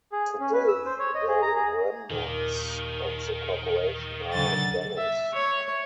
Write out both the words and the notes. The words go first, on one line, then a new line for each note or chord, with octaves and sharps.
Today the remnants of the corporation are Denny's.
G#4
C#4
B4
E6
C5
C#5
D#5
G#4
A#5
G#4
D#2 A#2 D#3
D2 C#3 F#3 A6
E5
C#5